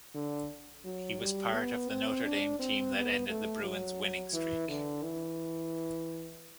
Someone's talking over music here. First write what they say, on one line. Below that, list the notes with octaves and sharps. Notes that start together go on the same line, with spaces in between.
He was part of the Notre Dame team that ended the Bruins winning streak.
D3
F#3
G3
B3
C4
D4
C4
B3
A3
F#3
E3
D3
E3